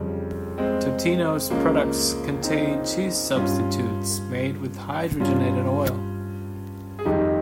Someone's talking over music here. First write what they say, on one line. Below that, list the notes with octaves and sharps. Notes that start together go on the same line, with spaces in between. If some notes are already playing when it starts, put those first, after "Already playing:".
Totino's products contain cheese substitutes made with hydrogenated oil.
Already playing: F2 C#3 G3
G#3 C4
C#2 C#3 F3 G#3 A#3 C#4
C4 D#4
G2 G3 C#4 F4
G2 G3 C#4 F4
G#4
F2 D#3 G3 D#4 G4